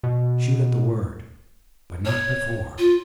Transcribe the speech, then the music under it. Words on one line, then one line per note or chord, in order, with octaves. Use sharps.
Shoot at the word, but not before.
B2
C#5
F4